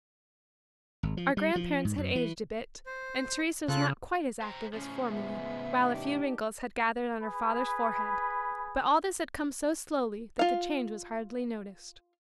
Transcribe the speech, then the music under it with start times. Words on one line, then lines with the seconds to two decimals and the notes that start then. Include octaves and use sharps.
Our grandparents had aged a bit, and Teresa was not quite as active as formerly, while a few wrinkles had gathered on our father's forehead; but all this had come so slowly that the change was hardly noticed.
1.03 G#1
1.17 F3
1.37 G3
1.56 F3
1.85 G#2
1.98 F#2
2.15 E3
2.86 C5
3.68 C#3 F4 A4 F#6
4.41 C5 G5 A#5
4.73 A2 C#3 F3 C#4
5.12 G#3 B3 E5
5.80 D4 D#4 G4
7.21 G#4 B4 B5
10.39 F4 F5